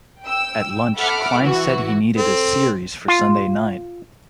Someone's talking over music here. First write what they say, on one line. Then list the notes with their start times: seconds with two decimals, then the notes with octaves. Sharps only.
At lunch Klein said he needed a series for Sunday night.
0.23 G5 E6
0.97 A4 E5 F#5 B5 D6 F6
1.40 E3 F#4
2.17 C4 A4
3.08 F4